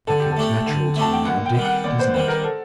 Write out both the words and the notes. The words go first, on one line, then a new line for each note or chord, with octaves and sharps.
'That comes natural to you now, Dick, doesn't it?'
D3 A4
G4
A4
A3 D4 G4
D3
A3 D4 G4 A5
G5
D#2 F#5
G5
D#3 G3
F#5
D#2 D5
C5
D#3 G3 C5
A#4
A4